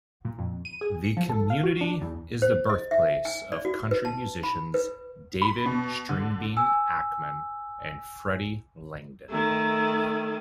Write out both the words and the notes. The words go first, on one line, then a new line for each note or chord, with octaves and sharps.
The community is the birthplace of country musicians David "Stringbean" Akeman and Freddie Langdon.
A#2
F2
D#7
G#4
C#7
F3
A4
F5
F#4
D4
E2
C5
D#5
E5
G#5
D5
F#4
B4
A5
B5
B4
B5
B2
D3
G#5 E6
D#3 A3